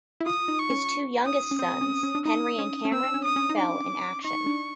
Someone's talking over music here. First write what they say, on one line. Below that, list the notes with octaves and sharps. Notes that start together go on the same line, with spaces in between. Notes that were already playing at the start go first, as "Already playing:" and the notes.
His two youngest sons-Henry and Cameron-fell in action.
E4
F4 D#6
D#4
C#6
C#4
D#6
C#4
C4 D#6
C#4
C#4
D4
D#4 D#6
C#4
C#4
C4 E6
D4
C#4
D#6
C#4
D#4
D4 D6
D#4 C#6
D4